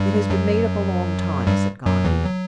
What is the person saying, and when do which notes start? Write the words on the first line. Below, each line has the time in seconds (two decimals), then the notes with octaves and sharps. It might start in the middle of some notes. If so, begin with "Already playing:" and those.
"It has been made up a long time," said Gondy.
Already playing: G2 G3
0.30 F#2 F#3
1.47 G2 G3
1.86 F#2 F#3
2.05 E2 E3
2.24 F#3